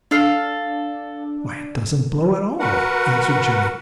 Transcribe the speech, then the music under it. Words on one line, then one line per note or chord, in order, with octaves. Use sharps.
"Why, it doesn't blow at all," answered Jimmie.
D4 A4 F5
F#4 A#4 B4 F#5